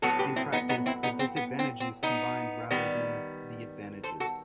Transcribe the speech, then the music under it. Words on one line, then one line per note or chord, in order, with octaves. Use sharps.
In practice, the disadvantages combined rather than the advantages.
A2 F#3 B3 F#4 A4
G4 B4
C4 E4
B3 D#4
B3 D#4
C4 E4
B3 D#4
C4
B3
C4
C4
B3 D#4
D#3 G3 B3
A4 C5
F#4 A4